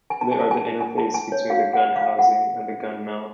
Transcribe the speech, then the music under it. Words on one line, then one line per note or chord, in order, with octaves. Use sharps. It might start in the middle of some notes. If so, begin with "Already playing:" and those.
They are the interface between the gun housing and the gun mount.
G#5
A5
G#5
A5
G#5
G#5
A5
G#5
C#5
F#4 C#5 F5
F#5
F5
F#5